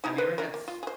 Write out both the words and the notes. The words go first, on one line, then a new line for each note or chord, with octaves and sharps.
Have you ever had s
D#4 E4 A#5
B4 C5
D4 A#4
A#3
F4
G#4 C5